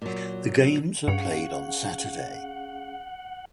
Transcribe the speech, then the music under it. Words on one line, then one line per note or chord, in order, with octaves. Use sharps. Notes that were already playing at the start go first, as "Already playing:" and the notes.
The games are played on Saturday.
A#2 F#3
G2 C#4 G#4 F5 F#5